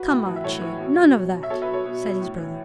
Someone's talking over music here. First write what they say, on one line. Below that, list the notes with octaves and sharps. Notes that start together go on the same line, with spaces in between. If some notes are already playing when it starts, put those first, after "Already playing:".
"Come, Archie, none of that," said his brother.
Already playing: F#4 B4
A2
E3
E5
A2 A4 C#5
E3
B2
F#3
B2
F#3
E5
B2 A4 C#5
B4 E5
F#3
A4 C#5
B2
F#3
A2
E3